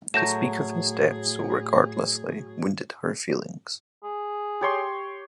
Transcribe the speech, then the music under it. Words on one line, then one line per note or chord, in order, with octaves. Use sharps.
To speak of his death so regardlessly wounded her feelings.
A2 F#3 A3 G#4 G6 A#6 E7
G#4
G4 C#5 C6